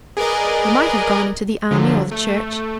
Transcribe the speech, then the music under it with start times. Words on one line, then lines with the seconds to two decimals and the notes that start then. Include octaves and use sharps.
You might have gone into the army or the Church.
0.17 G#4 A#4 B4 D5 D#5
1.71 D3 F3 F#3
2.11 A3